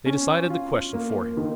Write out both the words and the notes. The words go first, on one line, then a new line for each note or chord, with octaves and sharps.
They decided the question for him.
C#4
F4
A#3
D#3